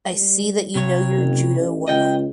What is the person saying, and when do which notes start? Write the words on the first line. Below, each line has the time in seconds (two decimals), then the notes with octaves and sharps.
I see that you know your Judo well.
0.14 G3
0.75 C3 C#5
1.15 F#1
1.54 A1
1.88 C#2 D#5 G5